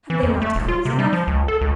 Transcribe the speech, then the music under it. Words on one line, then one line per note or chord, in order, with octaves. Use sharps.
Have they not cause enough?
E3
F2
A3
D#1
F4
C3
G3
F3
C#2
A4
C#2